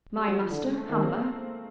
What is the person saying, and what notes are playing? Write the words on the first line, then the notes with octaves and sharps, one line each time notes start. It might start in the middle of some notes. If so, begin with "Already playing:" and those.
My master, Hamper.
G3
F#3
F3
D3 E3
G#3
A3
D#3 A#3
C4